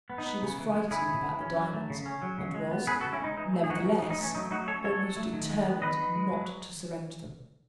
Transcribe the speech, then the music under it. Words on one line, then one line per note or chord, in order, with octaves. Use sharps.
She was frightened about the diamonds, and was, nevertheless, almost determined not to surrender them.
B3
D#4
B3
C#3
E3
G#3
C#3 E4 G#4
C#3
E3
C#4
F#3
A3
C#3
C#4
F#3
C#3
G#3
B3
C#3 G#4 B4
F#4 A4
C#3
C#4 E4
G#3 D#4
E3 D#4
A3
G#4
C#4 D#4 F#4
E3
D#4
E3
D#4
A3 C#4
F#3 D#4
A3 D#4 F#4
C#4 A4 C#5
F#3 A4 C#5
F#3
A3
D#3
G#3
B3
D#3 B4 D#5
D#3
G#3
F#3